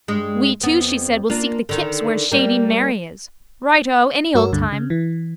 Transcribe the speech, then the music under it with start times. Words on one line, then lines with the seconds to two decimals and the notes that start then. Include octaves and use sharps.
We two, she said, will seek the kips where shady Mary is. Righto, any old time.
0.08 G2 G#3
0.63 F2 B3
1.30 A#3 D4 F4
1.69 D3 D#3
2.31 G3 A#3
4.34 G2 F#4 A#4 C#5 E6
4.52 C#2 G2 D3
4.73 C#3
4.90 E3